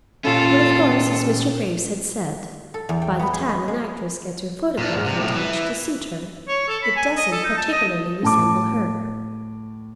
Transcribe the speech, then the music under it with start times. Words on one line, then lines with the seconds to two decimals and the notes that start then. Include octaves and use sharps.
But of course, as Mr. Graves had said, by the time an actress gets her photograph retouched to suit her, it doesn't particularly resemble her.
0.24 A#2 C#4 F4 A4
2.74 A4
2.89 E2
3.02 G5
3.19 B3
3.33 G#4
3.49 D#5
3.68 G#3
4.78 A#2 D4
4.93 D#2 G#2
5.06 C3
5.20 B1 A2
5.35 E3
6.48 C#5
6.68 A4
6.83 B5
6.96 G#5
7.17 D#5
7.32 A4
7.44 D#4
7.58 A5
7.72 D#5
8.23 A2 A5 D6